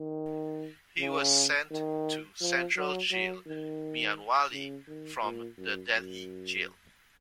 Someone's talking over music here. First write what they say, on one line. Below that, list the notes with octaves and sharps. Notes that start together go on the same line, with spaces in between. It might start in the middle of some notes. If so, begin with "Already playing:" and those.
He was sent to Central Jail Mianwali from the Delhi jail.
Already playing: D#3
C#3
D#3
F3
F#3
F#3
D#3
C#3
D#3
A#2
F#2
F#2